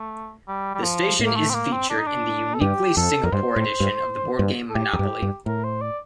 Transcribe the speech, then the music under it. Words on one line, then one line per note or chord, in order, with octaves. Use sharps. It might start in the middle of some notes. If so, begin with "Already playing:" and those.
The station is featured in the "Uniquely Singapore Edition" of the board game "Monopoly".
Already playing: A3
G3
G3
F3
A2
A#3
A3
C4
A#3
C4
D4
D#4
D4
A4
G2 G4
F2 A4
F2 A#4
G2 C5
A2
G2
G2
A4
A2 G4
F2
G2
G2
A2 A#4
C5
D5